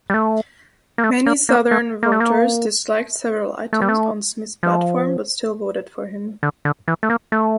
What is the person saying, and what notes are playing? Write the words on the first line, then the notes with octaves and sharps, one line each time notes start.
Many Southern voters disliked several items on Smith's platform but still voted for him.
G3
A3
A#3
A3
A#3
A#3
A3
A#3
A3
A#3
A3
G3
A3
F3
D3
D3
E3
A3
A#3
A3